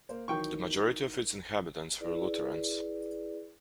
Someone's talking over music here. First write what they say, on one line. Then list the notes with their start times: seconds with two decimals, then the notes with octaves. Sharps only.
The majority of its inhabitants were Lutherans.
0.09 A#3 C5
0.28 D#3 E3 F#3 D#4 G5 C#6
2.01 E4 G#4 B4 D5